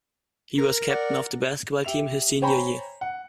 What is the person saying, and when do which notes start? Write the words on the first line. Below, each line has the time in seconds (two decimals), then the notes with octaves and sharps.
He was captain of the basketball team his senior year.
0.58 A#4
0.89 D5 F#5
1.84 G4 E5 F7
2.42 C5 C#5 G5 G#5 A#5 B5
3.01 F#5